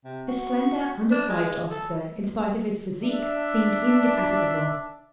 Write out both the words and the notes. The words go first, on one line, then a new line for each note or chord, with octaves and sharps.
This slender, undersized officer, in spite of his physique, seemed indefatigable.
C3
F#4
D4
G#3
A4
D4 E5